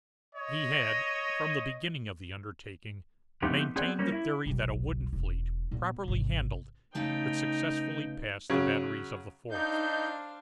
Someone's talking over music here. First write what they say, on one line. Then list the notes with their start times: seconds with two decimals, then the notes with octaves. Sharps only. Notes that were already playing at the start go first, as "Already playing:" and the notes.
He had, from the beginning of the undertaking, maintained the theory that a wooden fleet, properly handled, could successfully pass the batteries of the forts.
0.36 C#5 D#5
3.42 F3 A3 B3 C4 D#4 G4
3.76 B3 C4 G#4 A4 D5
3.99 G3 A#3 C#4
4.12 E4
4.46 F1 B1
5.13 E1
5.71 A#2 B3
6.04 G#1 C3
6.95 C#3 A3 D#4 B4 G5
8.50 C#3 F#3
9.51 D4 D#4 C5 F5 G6